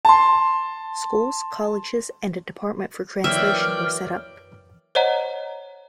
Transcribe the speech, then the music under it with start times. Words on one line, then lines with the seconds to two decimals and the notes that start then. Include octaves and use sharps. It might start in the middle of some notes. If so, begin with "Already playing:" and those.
Schools, colleges and a Department for Translation were set up.
0.05 A5 C6
3.24 E3 F#3 A#3 D5 E5 G5 F6
4.95 C5 C#5 D#5 F#5 A#5